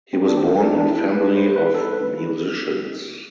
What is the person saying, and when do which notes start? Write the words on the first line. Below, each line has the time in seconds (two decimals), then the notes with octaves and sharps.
He was born in family of musicians.
0.13 C4
0.28 D4
0.37 C4
0.63 D4
0.78 D4
0.88 E4
1.12 B4
1.37 C5
1.56 B4
1.75 A4
1.93 B4